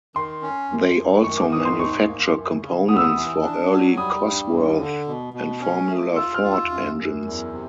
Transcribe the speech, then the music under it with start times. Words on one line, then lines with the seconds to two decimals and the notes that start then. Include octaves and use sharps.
They also manufacture components for early Cosworth and Formula ford engines.
0.15 D#3 C6
0.42 C#4
0.70 F#2
0.97 F#2
1.24 D#3 C#6
1.38 D6
1.52 G#2 D#6
1.65 C6
1.79 D#4 C#6
2.07 A#3
2.34 F#2
2.61 C#3
2.88 B3 D#6
2.96 E6
3.04 D#6
3.16 E3
3.43 D4
3.70 F#3
3.97 G3 D#6
4.25 G2
4.52 D#2
4.80 D3
5.07 B2
5.34 B2
5.62 C#4
5.88 A3
6.16 F4 E6
6.34 F6
6.43 F4
6.53 E6
6.71 F#2
6.98 F#2
7.26 E2
7.53 C3